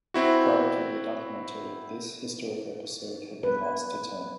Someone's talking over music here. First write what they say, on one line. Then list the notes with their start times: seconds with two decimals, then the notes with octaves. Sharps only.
Prior to the documentary this historic episode had been lost to time.
0.14 C4 E4 F#4
3.44 B4